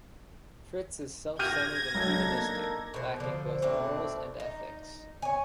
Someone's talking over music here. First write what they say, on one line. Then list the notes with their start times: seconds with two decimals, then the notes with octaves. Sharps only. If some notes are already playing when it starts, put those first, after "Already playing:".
Fritz is self-centered and hedonistic, lacking both morals and ethics.
1.39 F6 G6 G#6 A#6 D#7
1.95 B1 D4 D#4 A4
2.28 A#3 A#4
2.94 B2 C5
3.20 D3 F3 C5
3.62 B2 A3 C4 D4
4.40 D#4
5.22 C#5 G#5